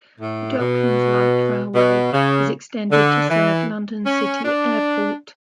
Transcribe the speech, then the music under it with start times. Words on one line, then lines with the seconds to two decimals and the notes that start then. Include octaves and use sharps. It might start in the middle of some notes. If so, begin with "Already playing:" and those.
The Docklands Light Railway was extended to serve London City Airport.
0.20 A2
0.58 B2
1.74 B2
2.13 C#3
2.90 D3
3.29 E3
4.06 C#4
4.45 D4